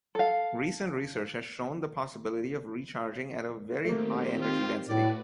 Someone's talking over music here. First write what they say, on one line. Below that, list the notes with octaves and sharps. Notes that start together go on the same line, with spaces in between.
Recent research has shown the possibility of recharging at a very high energy density.
A4 F5
D#3 A3 A#3 C4 G4
F4
A2 A3 F#4 B4 D5